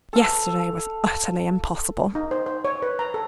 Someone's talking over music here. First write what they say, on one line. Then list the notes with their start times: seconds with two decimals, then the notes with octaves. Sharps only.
Yesterday was utterly impossible.
0.13 A4 F5
2.15 D#4
2.31 C5
2.46 C5
2.65 C#5
2.82 B4
2.99 A#5
3.14 A4